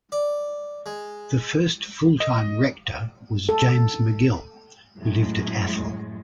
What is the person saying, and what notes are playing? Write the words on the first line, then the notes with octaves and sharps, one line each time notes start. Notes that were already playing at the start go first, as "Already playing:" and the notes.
The first full-time rector was James Magill, who lived at Athol.
D5
G#3
D#5
A4
F#2 A2 G#3